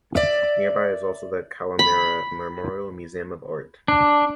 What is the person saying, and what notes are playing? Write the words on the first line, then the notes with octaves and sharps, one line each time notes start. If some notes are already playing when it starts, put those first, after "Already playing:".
Nearby is also the Kawamura Memorial Museum of Art.
D5 E5
B5
D4